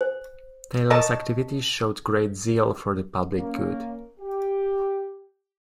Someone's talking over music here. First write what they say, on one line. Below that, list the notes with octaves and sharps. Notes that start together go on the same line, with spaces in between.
Talon's activity showed great zeal for the public good.
C5
A#4 C#5 D#5 A5
A#3 C#4
G4